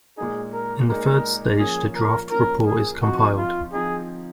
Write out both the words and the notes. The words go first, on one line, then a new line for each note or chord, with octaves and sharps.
In the third stage the draft report is compiled.
A#2 G#3 D#4 G#4
A#4
A#2 G#3 D#4 A#4
F3 A#3 C#4 G#4
A#4
F3 A#3 C#4 A#4
G#4
F3 C4 D#4 F#4
F4
F3 C4 D#4 G#4